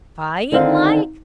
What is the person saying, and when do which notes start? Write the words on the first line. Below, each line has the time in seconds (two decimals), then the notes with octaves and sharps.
Spying like!
0.52 D3 D#3 C4 D#4 F5 F#5